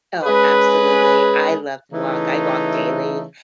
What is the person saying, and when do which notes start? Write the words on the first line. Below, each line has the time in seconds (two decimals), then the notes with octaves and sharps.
Oh, absolutely. I love to walk. I walk daily,
0.24 G#3 C#4 G#4 B4
1.91 C#3 E3 A3 D#4